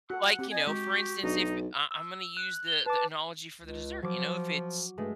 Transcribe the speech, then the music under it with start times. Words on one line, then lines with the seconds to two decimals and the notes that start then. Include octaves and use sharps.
Like, you know, for instance, if I Imma use the the analogy for the dessert, you know? If it's
0.10 F#4 A4 F#5
0.39 C4 G4
0.52 D#5 G#5
0.67 G#3 F#4 G4
1.23 B1 D4 D#4
1.91 E6
2.37 F#6
2.67 G7
2.86 B4 A5 D6
3.62 C#2
4.03 F3 F#3 D6
4.98 G2 G#3 A3